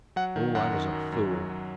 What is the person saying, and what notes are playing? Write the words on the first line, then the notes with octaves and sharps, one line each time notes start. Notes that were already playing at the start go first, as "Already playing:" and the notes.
Oh, I was a fool!
F#3 F#5
D#3
F#2 F#5
D#3
F#2
F#2
F#3
F#3